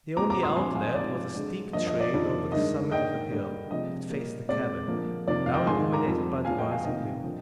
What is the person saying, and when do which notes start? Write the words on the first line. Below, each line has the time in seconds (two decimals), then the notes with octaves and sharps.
The only outlet was a steep trail over the summit of a hill that faced the cabin, now illuminated by the rising moon.
0.16 A#2 G#3 C4 A#5 D6
0.30 A#5 D6
0.43 C6 D#6
0.56 G2 F3 C4 G#5 C6
0.75 F5 G#5
0.85 D#5
0.95 G#2 F3 C4 D5
1.34 D3 G#3 D4
1.73 G2 F3 A#3 D4 D#5
1.87 D#5
2.00 D5
2.13 F2 D#3 A#3 D4
2.52 G2 D#3 G#3 D4 D#5
2.92 G#2 D#3 A#3 D4 D#5 G5
3.31 D3 G3 A#3 D4
3.70 C3 F3 G#3 D4 D#5
4.09 A#2 G3 A#3
4.49 A#2 G#3 C4 D5
4.88 D3 F3 A#3
5.28 F2 C3 D#3 A#3 D5
5.46 F5
5.54 D#5 G5
5.66 G#2 D#3 G#3 G#5 C6
5.92 A#5 D6
6.06 F2 D#3 G3 C4
6.45 A#2 F3 G#3 D4 F5 G#5
6.58 D#5 G5
6.71 F5 G#5
6.84 C3 D#3 A#3 D#5 G5
7.24 D3 F3